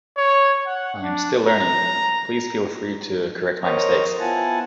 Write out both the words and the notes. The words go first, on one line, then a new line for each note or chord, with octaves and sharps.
I'm still learning; please feel free to correct my mistakes.
C#5
F#5
D4
A#5
A#4 C5 C#5 D#5 A#5
B3 E4 F4 F#5 G#5 A5